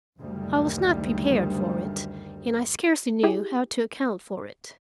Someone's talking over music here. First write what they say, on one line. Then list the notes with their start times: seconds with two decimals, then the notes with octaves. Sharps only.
I was not prepared for it, and I scarcely knew how to account for it.
0.19 F#1 D2 D#3 G3
3.23 E4 G4 G#4